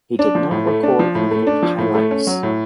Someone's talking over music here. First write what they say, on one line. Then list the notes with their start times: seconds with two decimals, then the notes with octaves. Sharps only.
He did not record many highlights.
0.19 D4
0.35 F3
0.51 A2
0.67 A3
0.83 D4
0.99 F3
1.15 A2
1.31 A3
1.47 D4
1.63 F3
1.78 A2
1.95 A3
2.11 C#4
2.27 F#3
2.43 A2